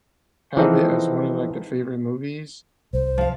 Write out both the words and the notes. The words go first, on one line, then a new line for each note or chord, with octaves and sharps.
have it as one of, like, their favorite movies,
E3 F3 C4 D#4 G#4 A4
C2 C5
F3 F5